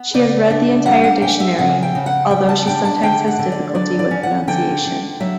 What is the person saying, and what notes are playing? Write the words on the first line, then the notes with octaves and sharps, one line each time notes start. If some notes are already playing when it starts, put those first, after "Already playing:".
She has read the entire dictionary, although she sometimes has difficulty with pronunciation.
Already playing: B3
C#3 D5
D4
G3 F#5
F#5
C#4 G5
E5
C#3 F#5
G5
C#3
F#5
G3 G5
A5
D4 G5
A5
D3 G5
F#5
D3
D5
F#3 D5
D5
C#4
F#5
D3 G5
D3
F#3 E5